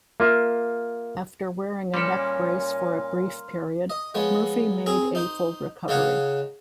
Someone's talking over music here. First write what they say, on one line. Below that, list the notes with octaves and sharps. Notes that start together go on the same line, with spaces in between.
After wearing a neck brace for a brief period, Murphy made a full recovery.
A#3 F4 E5
A#2 G3 C#4 G4 A4 C6 F6
D#5
F3 G#3 B3 C#5
C4 G#4 A#5
D#4 C5
C#3 D#4 C#5 F5 F#5 A#5